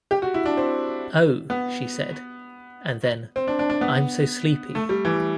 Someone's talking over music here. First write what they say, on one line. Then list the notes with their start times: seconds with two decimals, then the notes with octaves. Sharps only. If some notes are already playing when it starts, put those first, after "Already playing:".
"Oh," she said — and then: "I'm so sleepy."
0.11 G4
0.22 F#4
0.34 E4
0.45 D4
0.57 C4
1.50 B3
3.36 C4
3.48 D4
3.59 D4
3.70 D4
3.81 B3
4.75 A3
4.89 G3
5.05 E3